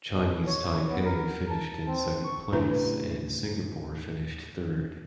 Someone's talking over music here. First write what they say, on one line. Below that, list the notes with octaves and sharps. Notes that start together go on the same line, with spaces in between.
Chinese Taipei finished in second place and Singapore finished third.
B2
C#5
B3
A#4
A5
C4
C#6
A2 C#3 G3 D4 E4 B4